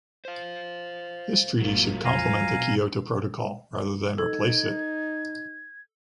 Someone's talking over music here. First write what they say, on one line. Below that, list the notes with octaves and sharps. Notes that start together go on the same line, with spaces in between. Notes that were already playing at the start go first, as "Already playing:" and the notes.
This treaty should complement the Kyoto Protocol rather than replace it.
C5 F5
A1 F#2 F#3 A#3 F4
F2 F5 G#5 A#5
B2
D#4 A4 G#6